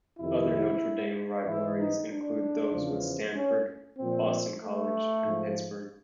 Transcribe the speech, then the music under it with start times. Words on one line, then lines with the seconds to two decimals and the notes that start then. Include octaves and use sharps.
Other Notre Dame rivalries include those with Stanford, Boston College, and Pittsburgh.
0.20 F2 C3 D#3 E4
1.46 G#2 E3 E4
1.78 D#4
2.09 D4
2.72 E2 C#3 F3
3.36 C#4
3.98 A#2 F3 C4
4.61 A3
5.24 G#2 F3